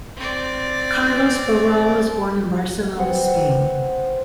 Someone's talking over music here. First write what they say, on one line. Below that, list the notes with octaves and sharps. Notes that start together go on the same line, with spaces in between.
Carlos Barral was born in Barcelona, Spain.
C4 D5
B3 C4 C5 F#5